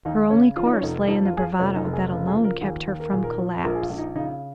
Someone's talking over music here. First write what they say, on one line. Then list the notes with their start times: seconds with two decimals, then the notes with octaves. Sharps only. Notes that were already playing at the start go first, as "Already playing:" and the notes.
Her only course lay in the bravado that alone kept her from collapse.
0.05 D#2 D#4
0.30 C#3 C#4
0.57 F3 F4
0.65 D#4
0.73 C#4
0.82 F1 D#4
1.08 F2 D#4
1.25 F4
1.33 F3 G#4
1.41 F4
1.59 F1 C#4
1.76 D#4
1.85 F1
1.93 G#4
2.11 C#3
2.27 G#4
2.36 F3
2.44 A#4
2.61 D#2 G#4
2.87 D#2
3.00 A#4
3.12 A#2 G#4
3.24 A#4
3.39 F3
3.64 A#1 A#4
3.75 G#4
3.82 F4
3.90 A#1
3.98 D#4
4.15 C#3 D#4